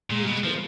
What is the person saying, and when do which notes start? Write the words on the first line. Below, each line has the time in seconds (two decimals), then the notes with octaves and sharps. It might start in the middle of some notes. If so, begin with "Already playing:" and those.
You too.
0.10 A#2
0.27 B2
0.44 F3